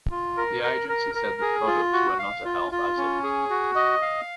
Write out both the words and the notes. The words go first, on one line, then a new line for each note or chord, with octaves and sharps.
The agency said the products were not a health hazard.
F4
A#4
A#4
A#4
A#4
G#4
F4
F#4
F5
F4
F4
C#4
G#4
F#4
D#5
F5